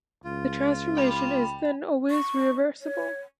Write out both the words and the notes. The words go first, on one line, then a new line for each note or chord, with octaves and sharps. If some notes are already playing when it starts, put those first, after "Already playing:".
The transformation is then always reversible.
C#2 F4
G5 B5
C#6
C#5